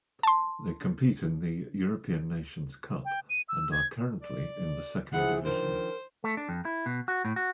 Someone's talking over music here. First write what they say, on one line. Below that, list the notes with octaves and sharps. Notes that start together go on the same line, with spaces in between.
They compete in the European Nations Cup, and are currently in the second division.
A5 C6
G5
D#7
E6
G#6
D5
E3 F3 E4 G#4 F#5
D#3 F3 D4 A#4 C5
A3
D4
F2
E4
B2
F#4
A2
F#4